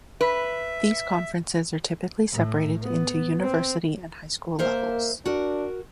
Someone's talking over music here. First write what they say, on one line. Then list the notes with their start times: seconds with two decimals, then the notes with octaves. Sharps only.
These conferences are typically separated into university and high school levels.
0.21 B4 E5
2.33 A2
2.82 B3
3.42 C4
4.59 A#3 A#4 C5 E5
5.26 D4 F#4 A#4